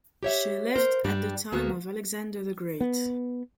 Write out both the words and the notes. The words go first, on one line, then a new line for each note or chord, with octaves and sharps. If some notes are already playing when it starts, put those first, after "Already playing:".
She lived at the time of Alexander the Great.
G4 C#5 E5
A#4 C5
G2 G3 D4
D2 A#3 B3 F#4
B3